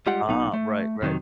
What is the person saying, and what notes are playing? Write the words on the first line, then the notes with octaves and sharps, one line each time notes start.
Uh-huh. Right, right.
G3 G#3 F4 G4 F#5
B1 B3 D#4
A3
F2 C3 D#3 F#3